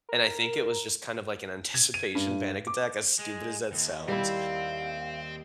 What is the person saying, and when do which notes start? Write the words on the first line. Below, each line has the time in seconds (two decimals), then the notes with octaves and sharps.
and I think it was just kind of like an anticipation panic attack, as stupid as that sounds.
0.09 A#4
1.74 G#6
1.94 D#7
2.15 G2
2.67 D6
3.19 G#3
3.72 D#2
4.08 G3 C4 E4 F5